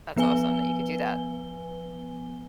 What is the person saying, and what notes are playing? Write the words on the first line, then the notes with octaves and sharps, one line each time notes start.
That's awesome that you could do that.
F3 B3 B4 G#5 G7